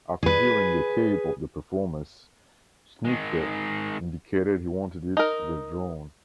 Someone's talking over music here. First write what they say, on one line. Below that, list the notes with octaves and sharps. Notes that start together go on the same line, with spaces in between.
After hearing a tape of the performance, Schnittke indicated he wanted it withdrawn.
G#4 B4
D#3 G#3
D#4 A#4